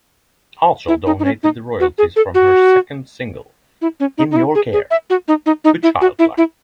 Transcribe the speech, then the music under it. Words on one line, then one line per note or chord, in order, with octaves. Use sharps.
Archer donated the royalties from her second single "In Your Care" to Childline.
E4
D#4
D#4
C#4
D#4
F#4
G#4
A4
F#4
E4
C#4
D#4
D#4
E4
G#4
G#4
E5
F#4
D#4
D#4
D#4
E4
F#4
E4
E4